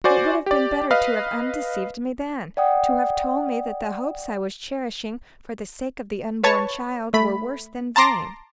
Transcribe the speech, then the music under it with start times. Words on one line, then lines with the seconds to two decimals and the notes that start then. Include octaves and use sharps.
"It would have been better to have undeceived me then; to have told me that the hopes I was cherishing for the sake of the unborn child were worse than vain."
0.04 F#4 C5 D5 G#5
0.46 G4 D5
0.91 B4 D#5 F5
2.57 D5 F#5 G5 D#6
6.44 B4 C#5 A5 C#6
7.14 A3 B5
7.96 A5 A#5 C6 D6 A#6